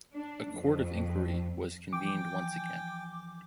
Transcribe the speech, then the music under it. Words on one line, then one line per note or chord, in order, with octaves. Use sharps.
A Court of Inquiry was convened once again.
D4
F2
E3 F3 G5 G#5 D6